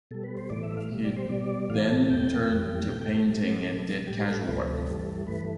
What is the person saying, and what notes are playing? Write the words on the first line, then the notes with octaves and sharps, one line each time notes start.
He then turned to painting and did casual work.
B2 G3 A4
B4
C5
A2 E3 A3 D5
E5
F5
B2 G3
D5
C5
B2 G3 D5
A2 E3 A3 F5
A5
E2 B2 A3 G5
F2 E3 G3
B2 A3 G5
G5
A4
A2 G3
B2 G3
A2 G3 G4
A4
D2 C3 F3 A3 B4
B4
A4
G2 E3 G3
G2 E3 A3 B4